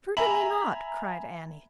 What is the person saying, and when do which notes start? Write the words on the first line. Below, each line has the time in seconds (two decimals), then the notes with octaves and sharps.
"Certainly not," cried Annie.
0.17 E5 G#5 A#5 B5 F#7